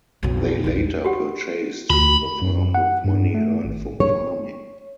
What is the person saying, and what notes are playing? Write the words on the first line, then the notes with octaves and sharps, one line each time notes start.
They later purchased the farm with money earned from farming.
B1 F2
A#1 E2
F#4 G4 F#5
D2 F4 F#4 B5
F#2
F#5
G2
A3
G#1
C#5